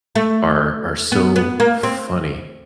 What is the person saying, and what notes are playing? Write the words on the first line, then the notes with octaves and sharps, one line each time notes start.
are are so funny
A3
B3
B3
A#3
C4